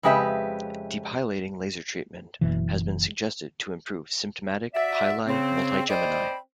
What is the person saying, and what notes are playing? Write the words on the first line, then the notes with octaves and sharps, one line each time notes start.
Depilating laser treatment has been suggested to improve symptomatic pili multigemini.
F2 C#3 G#3 G4 B4 E5
F#1 B2 E3
F#4 D5 E5
C#3 C4
C4 C5 D5 D#5 B5